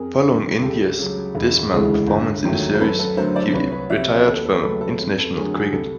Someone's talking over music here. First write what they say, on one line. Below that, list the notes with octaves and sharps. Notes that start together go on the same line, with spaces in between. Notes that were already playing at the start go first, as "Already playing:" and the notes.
Following India's dismal performance in the series, he retired from international cricket.
Already playing: F2 G#4 A#4
D3 G3
C#2 G4 A4
C#3 F#3
E1
D2 C#3 E3 G#3
G1
F#2 D#3 F#3 A3
C5
F#2 A4 B4
A4 B4
D3 F#3 A3 A#4 C5
C5 D5
C2 B4 C#5
B4 C#5
C3 F3 D5 E5
C#5 D#5
D#2 A4 B4
A4 B4
C#3 F#3 A3 A4 B4
A4 B4
F2
A4 B4
D3 F#3 A3 G#4 A#4
F#4 G#4
G#4
C2 G4 A4